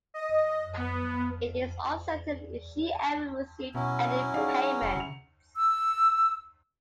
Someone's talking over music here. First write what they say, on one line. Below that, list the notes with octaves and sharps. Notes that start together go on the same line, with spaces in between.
It is uncertain if she ever received any payments.
D#5
B3
B2 F#3 C#4 E4 F#4
D#4 G#4 D5 F5
F1
C#3 C#7 F7
E6